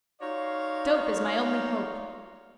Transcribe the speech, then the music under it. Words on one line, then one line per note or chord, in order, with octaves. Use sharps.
Dope is my only hope...
D#4 F4 F#4 C#5 D5 F5